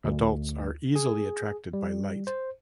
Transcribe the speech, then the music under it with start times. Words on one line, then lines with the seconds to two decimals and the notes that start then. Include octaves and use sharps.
Adults are easily attracted by light.
0.04 D2
0.96 G#4
1.73 G3
2.27 C5